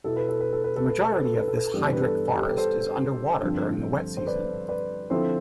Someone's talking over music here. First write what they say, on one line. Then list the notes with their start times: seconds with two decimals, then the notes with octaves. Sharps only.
The majority of this hydric forest is under water during the wet season.
0.04 B2 B3 E4 A4
0.16 B4
0.29 A4
0.40 B4
0.52 A4
0.64 B4
0.76 A4
0.88 B4
1.01 A4
1.13 B4
1.24 A4
1.36 B4
1.48 A4
1.73 G2 E3 B3 D4 G4
1.93 B4
2.02 A4
2.35 G4
2.42 A4
2.50 B4
2.57 A4 C5
3.42 G2 D3 F3 C4
4.17 C5
4.26 B4 D5
4.68 B4 D5
5.10 D3 F3 C4 E4 A4 C5